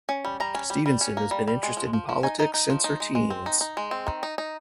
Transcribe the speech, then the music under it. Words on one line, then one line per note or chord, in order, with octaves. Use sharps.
Stevenson has been interested in politics since her teens.
C#4
G3
G3 A#5
C#4
G3
G3
C#4
A#3
G3
G3
G#3
F3
F3
F3
D#4 G#5
D#4
D#4
F3
D#4
G#3
G#3
C4
D#4
D#4
G#3
C4
D#3
D#4
D#4